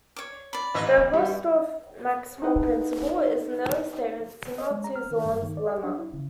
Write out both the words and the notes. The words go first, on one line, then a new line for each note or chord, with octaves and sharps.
The Hausdorff maximal principle is an early statement similar to Zorn's lemma.
C#5 D6
D5 B5
A1 B4 D#5 E5
G2 G3
D#4 E4 G#4 B4 D#5 F#5
D#5
G#3
A#5
F6
D#3
G2
D#3
D5
G#4
D4
E4
C#3